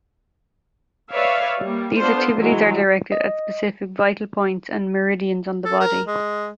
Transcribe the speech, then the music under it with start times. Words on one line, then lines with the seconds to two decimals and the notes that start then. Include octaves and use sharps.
These activities are directed at specific vital points and meridians on the body.
1.12 B4 C#5 D5 E5 F5
1.60 G3 A#3
1.98 B3 D4 F4 A4 C5
2.36 E3 F#3 G#3
3.12 D#5
5.65 A4
5.80 A#4
6.07 G#3